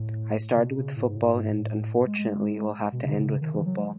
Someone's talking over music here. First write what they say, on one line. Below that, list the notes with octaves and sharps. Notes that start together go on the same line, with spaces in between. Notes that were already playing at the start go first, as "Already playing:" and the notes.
I started with football and, unfortunately, will have to end with football.
Already playing: A2
C#3
B2
C#3
A2
G#2
A2
G#2
G#2
A2
G#3
G#3
G#3
B2
C#3
D#3
C#3
C#3
D#3
E3
F#3
G#3